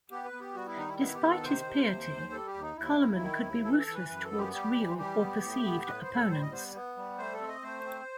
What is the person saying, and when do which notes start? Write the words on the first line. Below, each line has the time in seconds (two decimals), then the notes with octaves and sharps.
Despite his piety, Carloman could be ruthless towards real or perceived opponents.
0.11 B3 G4
0.25 B4
0.33 B3
0.40 G4
0.55 G3 F#4
0.66 E4
0.77 D#3 D#4
0.89 E4
0.99 B3 E4
1.14 G4
1.21 D#3
1.29 A4
1.43 C3 C5
1.65 C3
1.87 D#2
2.10 D#2
2.32 G3 A4
2.47 G4
2.54 D#2
2.62 D#4
2.76 D#2 E4
2.99 D#2
3.21 D#3
3.43 D#2
3.65 E3 A4
3.79 A4
3.87 E3
3.94 B4
4.09 F#2 B4
4.24 A4
4.31 B3
4.38 G4
4.53 G3 G4
4.76 E3
4.97 G3 G4
5.20 B3
5.42 A2
5.64 B3
5.86 A2 B4
6.01 C5
6.07 A2
6.16 A4
6.30 G3 C5
6.41 D#5
6.52 B3 C5
6.75 B3
6.97 G3
7.18 A3 C5
7.34 A4
7.41 C4
7.48 D#5
7.63 A3 C5
7.85 C4